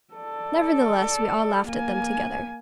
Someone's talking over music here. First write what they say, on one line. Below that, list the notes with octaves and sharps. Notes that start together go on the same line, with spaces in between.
Nevertheless we all laughed at them together.
A4 D5
A#3 G#5